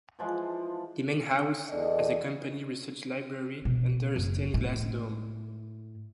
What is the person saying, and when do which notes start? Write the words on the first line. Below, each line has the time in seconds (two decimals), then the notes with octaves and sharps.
The Main House has a company research library under a stained-glass dome.
0.19 E3 F3 G#3
1.70 E2 A4 D5 D#5
3.65 B2
4.16 F#1
4.54 A2